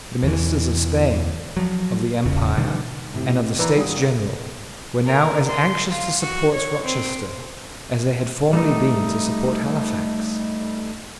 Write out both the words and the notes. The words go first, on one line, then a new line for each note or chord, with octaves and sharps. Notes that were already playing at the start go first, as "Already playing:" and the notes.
The ministers of Spain, of the Empire, and of the States General were now as anxious to support Rochester as they had formerly been to support Halifax.
E2 B2 E3
F3 F#3
E1 E2 C#3
B2 D3 D#3 G3
A2 C3
E3 B4 D5 A#5
G#1 G3 D#6
A#4
C6
F4
F#4
C#5
C4
G3 A3 D#4